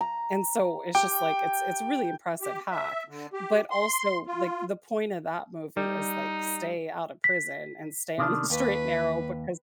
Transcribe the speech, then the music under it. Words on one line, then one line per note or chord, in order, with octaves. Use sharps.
and so it's just like, it's it's a really impressive hack, but also, like, the point of that movie is like stay out of prison and stay on the straight and narrow because
A#5
G4 G5
G4
E5
D3
G4
C6
F4
G3 D#4
B6
C3 D#3 D4
D#2 B4